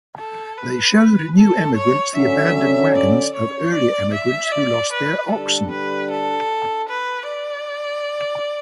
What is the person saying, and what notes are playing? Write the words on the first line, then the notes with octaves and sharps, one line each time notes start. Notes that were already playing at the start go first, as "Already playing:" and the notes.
They showed new emigrants the abandoned wagons of earlier emigrants who lost their oxen.
A4
B4
A4
C#5
D3 F#3 C#4 E5
D5
C#5
D5
E5
D5
B4
D3 G3 D4 G4 A4
B4
A4
B4
D5